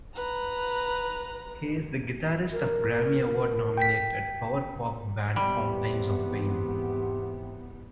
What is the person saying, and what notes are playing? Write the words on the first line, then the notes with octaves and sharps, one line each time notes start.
He is the guitarist of Grammy Award-nominated power pop band Fountains of Wayne.
B4 A#5
A#4
G5 B6
E2 G#2 C3 G3 B3 G4